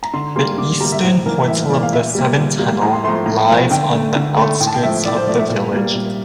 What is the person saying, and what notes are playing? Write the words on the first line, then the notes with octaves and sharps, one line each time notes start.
The eastern portal of the Severn Tunnel lies on the outskirts of the village.
A#5
D3 C6
G3 A#3 C6
D3 D6
G3 A#3 A#5
E5
A2 C5
E3 A#3 A#4
A2 E5
E3 A#3 D5
F5
A#2 E5
G3 A#3
A#2
G3 A#3
A2 A#5
C6
F3 A3 A#5 C6
C6
A2 A#5
F3 A3
D3 G5
A3
D3
A3
A2 G5
A5
G5
F3 A3 E5
A2 D5
C5
F3 A3 D5
E5
A#2
G3 A#3
A#2